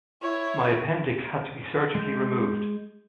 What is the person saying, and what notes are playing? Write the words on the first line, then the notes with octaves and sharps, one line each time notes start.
My appendix had to be surgically removed.
E4 C#5
G#3 G6